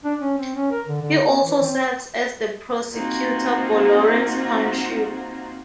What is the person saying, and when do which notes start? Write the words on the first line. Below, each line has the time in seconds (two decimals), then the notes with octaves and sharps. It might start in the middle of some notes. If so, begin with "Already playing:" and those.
He also serves as the prosecutor for Lawrence Township.
0.05 D4
0.21 C#4
0.38 C4
0.55 C#4
0.71 A#4
0.87 D3
1.02 D3
1.28 B3
1.43 E3
1.63 C4
2.94 A#3 C4 D#4 F4 F#4 C5